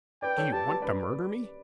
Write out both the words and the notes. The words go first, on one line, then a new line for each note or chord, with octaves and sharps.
"Do you want to murder me?"
B4 D5 G5
A4 C#5
G4 B4 A5
G4 B4
B4 D5